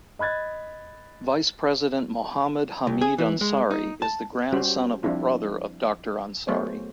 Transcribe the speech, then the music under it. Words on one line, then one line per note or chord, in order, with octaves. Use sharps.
Vice President Mohammad Hamid Ansari is the grandson of a brother of Doctor Ansari.
D#5 B5 F#6 G#6 A6
C2
G#4
E3
G#3
D#4
A5
G3 C#4 F#4 G4 C5
F3 G3 C4 D4 E4 F4
F#3 A3 B3 G#4 C5 C#5